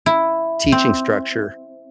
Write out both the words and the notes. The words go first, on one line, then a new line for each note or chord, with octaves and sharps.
teaching structure.
E4
C4